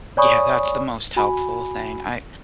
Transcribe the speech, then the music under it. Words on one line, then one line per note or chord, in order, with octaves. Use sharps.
Yeah, that's the most helpful thing. I
C#5 D5 G#5 B5 C#6 D#6
F#4 G#5 B5